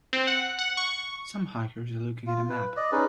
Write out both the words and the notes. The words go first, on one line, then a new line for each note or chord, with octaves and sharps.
Some hikers are looking at a map.
C4
F#5
F#5
C#6
F4
B4
D5 D#5
C#4 D#4 G#4 B4